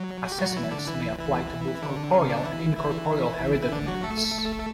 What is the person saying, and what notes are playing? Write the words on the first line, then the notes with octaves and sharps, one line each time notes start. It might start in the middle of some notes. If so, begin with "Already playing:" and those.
Assessments may apply to both corporeal and incorporeal hereditaments.
Already playing: F#3
F#4
G4
F#3 F#4
E3 E4
D3 D4
E3 E4
E3 E4
D3 D4
C#3 C#4
D3 D4
E3 E4
E3 E4
E4
D3 D4
F#3 F#4
A3 A4